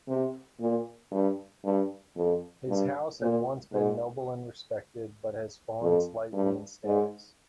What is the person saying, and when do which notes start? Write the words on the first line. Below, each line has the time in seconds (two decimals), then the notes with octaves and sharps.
His house had once been noble and respected, but has fallen slightly in status.
0.08 C3
0.60 A#2
1.11 G2
1.64 G2
2.16 F2
2.68 G2
3.21 A#2
3.72 G#2
5.82 F2
6.33 G2
6.85 G#2